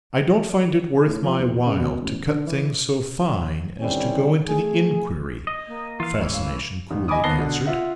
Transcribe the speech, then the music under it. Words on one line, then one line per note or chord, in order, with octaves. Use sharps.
'I don't find it worth my while to cut things so fine as to go into the inquiry,' Fascination coolly answered.
A2
F3
E2
C#3
B2
A1
D3
E3
D3 D#3 G3 C4 C#4 E4
A3 G#4
D#5
A#3
E3 F4 F5
D1 G#2 E3 A3 C#4 E4
F5
A1
D#5 G#5 B5 D6 D#6
D#2 B3 A5 A#6 C7 G7
B2 D3
F4 E5 F#5